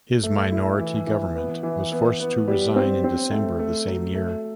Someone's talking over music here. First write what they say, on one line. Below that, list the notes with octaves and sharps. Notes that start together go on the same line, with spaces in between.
His minority government was forced to resign in December of the same year.
A3
E4
E3
E3
B3
E3
B3
B3
G3
C4
C4
A3
A3
F#3
A3